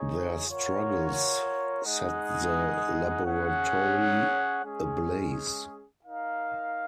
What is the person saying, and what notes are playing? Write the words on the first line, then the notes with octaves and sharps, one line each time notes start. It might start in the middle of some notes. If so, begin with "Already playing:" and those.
Their struggles set the laboratory ablaze.
Already playing: D#4 G#4 C#5
F4 A#4 C#5 F#5
G#3 D#4 G#4 D#5 F#5
C#4 G#4 C#5 F#5
G#3 C#4 G#4
D#4 A#4 F5